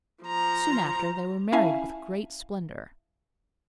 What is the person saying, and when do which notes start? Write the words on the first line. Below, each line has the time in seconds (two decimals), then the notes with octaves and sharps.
Soon after, they were married with great splendour.
0.24 F3 A#5
1.52 C#4 E4 E5 F5 G#5 A5